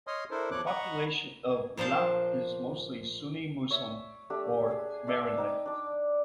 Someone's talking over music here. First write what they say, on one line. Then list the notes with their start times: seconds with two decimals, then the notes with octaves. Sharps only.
The population of Ilat is mostly Sunni Muslim or Maronite.
0.07 C#5 D#5 C6 D#6 F6
0.31 D4 E4 A4 A#4 C5
0.51 E2 F3 C#5 D6 F#6
0.66 D#5 F#5 A#5 B5 C#6
1.77 A#2 F3 D4 C5 A5
3.70 C#5 E5
4.30 A3 D4 G4
4.71 G#4
5.07 D5 E5 A5
5.38 D#4 G5
5.66 D4 D5